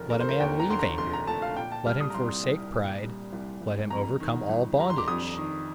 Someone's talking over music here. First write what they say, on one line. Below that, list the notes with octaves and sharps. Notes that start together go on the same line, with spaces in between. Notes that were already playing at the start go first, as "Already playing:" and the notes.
Let a man leave anger, let him forsake pride, let him overcome all bondage!
Already playing: F1 D#2 D3 A#4
A3 A#4
C5
A#4
D#2 G5
A#5
D3 C6
A#5
F1 C6
A#5
A3 A5
F5
A#2 G5
A5
G3 F6
D#6
A#5
C2 C6
C2
A#2
G3
C2
C2
F2 A#5
D#3
G1
G3 A#5
C6
D6
F2 D#6
D#3